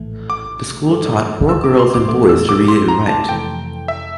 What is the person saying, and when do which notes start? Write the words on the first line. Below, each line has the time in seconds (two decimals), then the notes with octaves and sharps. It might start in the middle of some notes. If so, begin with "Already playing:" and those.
The school taught poor girls and boys to read and write.
Already playing: A#1 A2 E3 A3
0.30 D6
0.89 G2 E3 A3
1.49 E6
1.64 D6
1.79 C6
1.94 D6
2.08 A#1 A#2 A3 D6
2.29 E6
2.49 D6
2.68 C6
2.88 A#5
3.08 A5
3.29 F2 C3 E3 A3 G5
3.88 E5